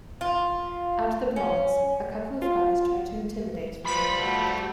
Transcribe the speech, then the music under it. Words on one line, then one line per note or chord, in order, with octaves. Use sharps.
At The Bronze, a couple of guys try to intimidate them.
F4
C#4
F4
F3 G3 B4 C5 B5
A3 F#4